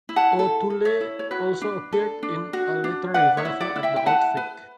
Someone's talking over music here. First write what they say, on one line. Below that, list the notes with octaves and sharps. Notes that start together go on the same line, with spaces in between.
O'Toole also appeared in a later revival at the Old Vic.
E4
F#5 A5
A4
A4
C#5 E5
E4
C#5
F#4 B4
D4
A4
D4
F#4
D4
B4 D5 F#5
C#5 E5
E4
D5 F#5
E4
E5 G5
G5
B4 F#5 A5
B4